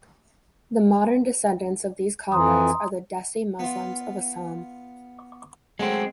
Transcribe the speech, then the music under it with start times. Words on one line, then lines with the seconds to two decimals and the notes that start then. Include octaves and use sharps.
The modern descendents of these converts are the Desi Muslims of Assam.
2.32 F2 E3 A#5 C6 D#6
3.59 B3 F4
5.79 F#3 G#3 A3 C4